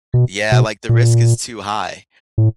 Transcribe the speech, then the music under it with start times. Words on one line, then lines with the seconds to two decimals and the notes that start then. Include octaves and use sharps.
yeah, like, the risk is too high.
0.14 B2
0.52 B2
0.89 A#2
2.38 A2